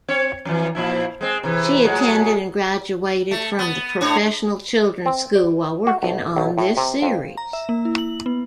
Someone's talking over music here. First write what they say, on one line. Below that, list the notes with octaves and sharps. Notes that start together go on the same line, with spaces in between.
She attended and graduated from the Professional Children's School while working on this series.
C4 C#5
F2 E3
A#2 F3 E4
G#3 C4
C3 E3
A2 F#3 G#3
A3
B3
A2 D4 C#5
C4
D5
F#4
B1
B1
A2
C3
F2
A#5
E5
A#3
E4
F#7
B3